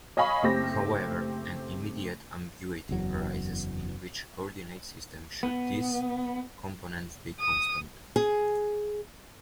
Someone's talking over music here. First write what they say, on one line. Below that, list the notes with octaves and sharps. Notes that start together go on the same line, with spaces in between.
However, an immediate ambiguity arises: in "which" coordinate system should these components be constant?
C#5 D#5 F5 G#5 B5 C#6
F#1 A3 C4 G4 A#6
F#1 E2 F#3
B3
D#6
G#4